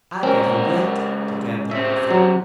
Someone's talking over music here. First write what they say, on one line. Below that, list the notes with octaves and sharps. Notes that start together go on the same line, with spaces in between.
"I'll get him yet," declared the little fellow.
C#2 C4 C#4 A#4
C#3 C4 E5
F#3